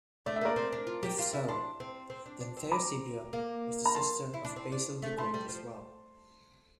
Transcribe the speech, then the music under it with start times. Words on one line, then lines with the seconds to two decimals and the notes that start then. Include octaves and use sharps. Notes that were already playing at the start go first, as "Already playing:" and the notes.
If so, then Theosebia was the sister of Basil the Great as well.
0.26 A3 D5
0.36 E5
0.41 A#3 A#4 D5
0.56 C4
0.73 D4
0.87 F4
1.03 G4
1.19 F4
1.33 E4
1.48 D4 A5 C6
1.80 C4
2.10 C4
2.26 D4
2.40 D4
2.57 C4
2.72 A#5 D6
3.33 A#3
3.86 A#5
3.95 A5 C6
4.34 E4
4.45 D4
4.56 C4
4.72 D4
5.02 A3
5.17 A3 A5 C6
5.34 G3
5.49 F3